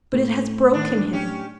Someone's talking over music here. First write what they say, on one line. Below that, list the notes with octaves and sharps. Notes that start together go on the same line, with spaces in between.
But it has broken him.
A2
D#3 D4
C#4 G4